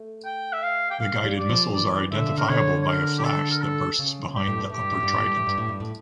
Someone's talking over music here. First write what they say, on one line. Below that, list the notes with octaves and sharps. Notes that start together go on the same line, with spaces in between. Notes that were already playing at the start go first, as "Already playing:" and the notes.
The guided missiles are identifiable by a flash that bursts behind the upper trident.
Already playing: A3
G5
E5
F5
G5
A#3 F5
G3
D5
F3
E3 D5
D3 E5
A#2
C#3 A#4
D3 C#5
C#5
A#4
G4
A4
A#4
A4
C#3
G2 G4
A2
G2
A2 G4
G2
A2
G2
A2
G2
A2
G2
A2
G2
A2